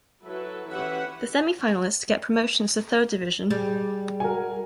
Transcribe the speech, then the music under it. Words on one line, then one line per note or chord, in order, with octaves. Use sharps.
The semifinalists get promotions to third division.
F#3 E4 F#4 A4 B4
E3 C#4 G4 B4 E5 F#5
G3 G#4
F#4 A#4 G#5